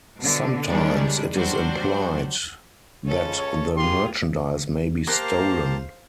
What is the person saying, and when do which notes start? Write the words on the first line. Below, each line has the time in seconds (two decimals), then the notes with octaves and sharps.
Sometimes, it is implied that the merchandise may be stolen.
0.19 B2 D3
0.68 D#3 G3 G#3 C#4 D4
1.33 F#3 G3 D4 F#4 C5
3.05 C#2 C#4 A4
3.36 C#5
3.76 D#3 F4 G4 G#4 C6
5.07 A#3 G4 C5 F5 A5 F#6